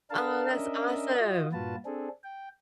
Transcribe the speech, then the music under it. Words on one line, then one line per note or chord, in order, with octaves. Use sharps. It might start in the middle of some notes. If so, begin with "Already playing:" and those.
Oh, that's awesome.
D4 A4 A#4 F5 A5
C#4 D4 A#4 D#5 E5
F4 F#4 D#5
G2 A#2 F4 F#4 B4 A5
C4 D4 G#4 A4
G5